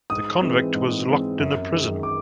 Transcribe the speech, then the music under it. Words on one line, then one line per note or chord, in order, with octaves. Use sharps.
The convict was locked in a Prison.
G#2 D#6
E3 G#3 C4
G#2
E3 G#3 C4
F#2
D#3 G#3
D6